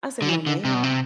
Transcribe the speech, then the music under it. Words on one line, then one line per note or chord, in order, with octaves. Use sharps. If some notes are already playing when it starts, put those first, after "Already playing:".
I said, "No, ma'am."
D3
E3
D3
C3
B2
C3